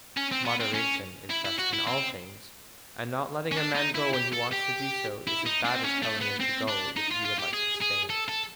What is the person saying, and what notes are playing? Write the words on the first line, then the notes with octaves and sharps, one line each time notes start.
Moderation is best in all things, and not letting a man go when he wants to do so is as bad as telling him to go if he would like to stay.
C#4
C4
B3
C4
C#4
E4
E4
F#4
E4
C4
C#4
D4
D#4
E4
G4
A4
G4
E4
D#4
D4
C4
C#4
A3
B3
C4
D4
D#4
F4
F4
G4
G#4
G#4
A4
A4